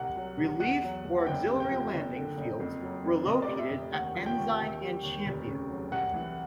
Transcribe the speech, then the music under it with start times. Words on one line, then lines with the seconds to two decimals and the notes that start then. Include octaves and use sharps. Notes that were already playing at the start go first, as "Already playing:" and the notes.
Relief or auxiliary landing fields were located at Ensign and Champion.
Already playing: C2 F#5
0.16 F#3
0.38 C2
0.60 E2 F#5
0.82 F#3
1.05 E2
1.27 F#1 G5
1.49 C3
1.60 G5
1.71 F3
1.93 F#1
2.15 D3
2.37 F#1
2.60 F2
2.82 F#3
3.04 F2
3.26 F1 D#5
3.42 D5
3.48 C3
3.59 E5
3.70 F1
3.92 D#2 F#5
4.15 F3
4.26 G5
4.37 D#2
4.59 D#2
4.81 G3
5.03 D#2
5.26 F1
5.47 C#3
5.69 F#3
5.92 C2 F#5
6.14 E3